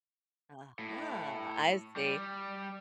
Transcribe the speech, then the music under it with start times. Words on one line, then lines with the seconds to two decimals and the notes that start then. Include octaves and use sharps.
Uh-huh, I see.
0.79 A2
1.96 G3